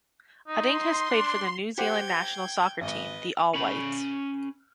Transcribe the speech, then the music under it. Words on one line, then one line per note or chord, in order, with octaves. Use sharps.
Utting has played for the New Zealand national soccer team, the "All Whites".
D#4 C6
D4
G4 C5 F#5 G5 G#6
G#1 B4 D#5
C#4 B5